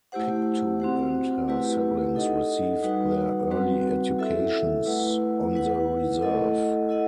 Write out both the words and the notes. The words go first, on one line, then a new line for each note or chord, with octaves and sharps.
Pictou and her siblings received their early educations on the reserve.
A3 E4 G4 C5 F#5
C4 F#4 C5 F#5
A3 E4 G4 B4 F#5
D#4 A4 D#5 F#5
G3 D#4 F#4 B4 F#5
G3 C4 F#4 B4 F#5
E4 A4 E5
A3 E4 B4 F#5
E4 B4 F#5
A3 E4 A4 D#5 F#5
E4 A4 D#5 F#5